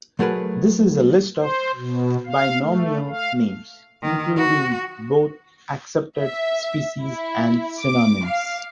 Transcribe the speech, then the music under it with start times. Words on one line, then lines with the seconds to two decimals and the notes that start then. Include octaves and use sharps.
This is a list of binomial names, including both accepted species and synonyms.
0.19 F#3 A3 G#4 A#4 B4
1.37 C5
1.75 B2
2.26 F5
2.60 A3
3.09 F5
4.02 D#3
4.36 F#4
6.21 E5
7.04 E4
7.80 D6
8.26 F5